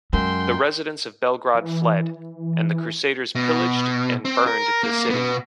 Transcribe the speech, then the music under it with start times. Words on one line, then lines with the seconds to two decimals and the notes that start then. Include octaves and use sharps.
The residents of Belgrade fled, and the crusaders pillaged and burned the city.
0.13 F#2 G#3 G5 C6
1.54 E3
3.35 B2
4.25 C4
4.47 A#4
4.83 A#3
5.10 B2 B3